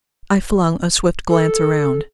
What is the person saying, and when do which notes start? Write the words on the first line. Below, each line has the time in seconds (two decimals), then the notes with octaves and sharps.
I flung a swift glance around.
1.28 A4